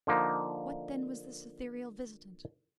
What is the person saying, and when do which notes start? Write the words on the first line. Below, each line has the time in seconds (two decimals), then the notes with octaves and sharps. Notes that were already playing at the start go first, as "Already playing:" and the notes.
What then was this ethereal visitant?
0.07 D3 F3 A#3 D#4